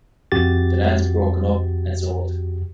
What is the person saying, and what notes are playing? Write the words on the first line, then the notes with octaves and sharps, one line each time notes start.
The lands were broken up and sold.
F2 F#4 G4 A6